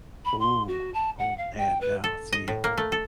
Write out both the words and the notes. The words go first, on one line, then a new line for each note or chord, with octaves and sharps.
Ooh, oh man, now, see
B5
C6
F#4
A5
F#5
F5
G5
B4
A4
D#5
A2
A#3
A3
A4